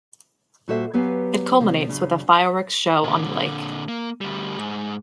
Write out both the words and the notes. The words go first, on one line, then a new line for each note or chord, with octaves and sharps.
It culminates with a fireworks show on the lake.
A#2 G3 F#4 A4 C5 E5
F#3 B3 G4 B4 F5 G#5
C3 F3
F#2 A#2 C#3 D4
A#2 D3
A#3
D2 G3
G#2